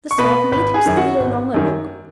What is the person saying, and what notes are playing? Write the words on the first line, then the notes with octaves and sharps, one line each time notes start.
The thought made him steal a longer look.
C#6
B2 B4 B5
G#1 B4 B5
G#4 G#5
F#2 D#3
F#4 F#5
G#1
F#2 D#3